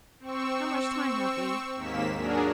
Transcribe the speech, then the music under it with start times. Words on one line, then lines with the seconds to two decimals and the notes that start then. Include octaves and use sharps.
"How much time have we?"
0.20 C4 C#6 E6
1.76 D#2 G#2 A#3 B6 E7
2.16 F#3 D4 G#4 A#4